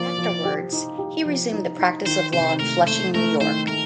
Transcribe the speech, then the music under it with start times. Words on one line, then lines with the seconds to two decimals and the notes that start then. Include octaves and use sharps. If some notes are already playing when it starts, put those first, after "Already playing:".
Afterwards he resumed the practice of law in Flushing, New York.
Already playing: F3 A#3 D5
0.18 F3
0.45 G4
0.73 D#4
0.98 G4
1.25 F3
1.53 D#4
1.79 D#4
2.06 D#3 C5
2.33 C3 C5
2.60 A3 A#4
2.86 A3 C5
3.14 A3 A#4
3.41 D#3 C5
3.68 A3 A#4